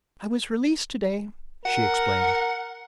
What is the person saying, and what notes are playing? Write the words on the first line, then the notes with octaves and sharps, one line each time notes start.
"I was released to-day," she explained.
A#4 F#5